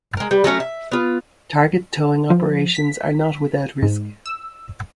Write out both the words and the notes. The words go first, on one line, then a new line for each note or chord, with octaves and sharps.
Target towing operations are not without risk.
G#3 A#4
G3 B4
F#3 A3 C#4 A#5
E5
B3 F4
F3
B6
G#2
E6